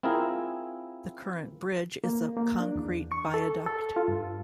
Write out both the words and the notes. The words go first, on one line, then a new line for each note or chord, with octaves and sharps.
The current bridge is a concrete viaduct.
C4 E4 F4 G#4 A#4
A#3
A#3
D4
E2
C#6
A4
A4
F4
G2